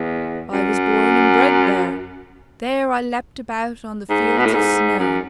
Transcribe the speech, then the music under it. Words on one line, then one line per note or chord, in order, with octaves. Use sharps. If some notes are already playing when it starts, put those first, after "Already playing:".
"I was born and bred there--there I leapt about on the fields of snow."
Already playing: E2
F#2
G#2
B2
A2
G#2
F#2